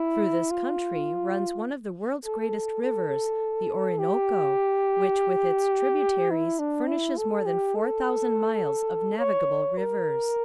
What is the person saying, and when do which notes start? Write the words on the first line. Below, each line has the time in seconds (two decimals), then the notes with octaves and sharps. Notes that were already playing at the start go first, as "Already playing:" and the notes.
Through this country runs one of the world's greatest rivers, the Orinoco, which with its tributaries furnishes more than four thousand miles of navigable rivers.
Already playing: E4
0.51 F4
2.25 A4
2.82 A4
3.99 G4
6.30 E4
6.59 D4
6.87 E4
7.17 A4
7.46 G4
7.75 A4
9.19 C#5
9.77 A#4